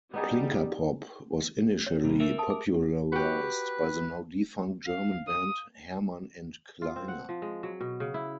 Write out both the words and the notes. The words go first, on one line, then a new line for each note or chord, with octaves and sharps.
Plinkerpop was initially popularized by the now-defunct German band Herrmann and Kleine.
G3 B3 D#4 G#4
C#5
C3 G3
A#4 E5
A4 A5
G#4
F#4 G4 B4
F5
D#6
F4
C4
F#5
F3
G#3
F#3
B2
C#3
E4